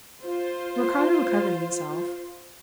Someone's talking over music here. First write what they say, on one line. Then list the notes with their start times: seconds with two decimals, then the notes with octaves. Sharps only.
Ricardo recovered himself.
0.21 F4 C5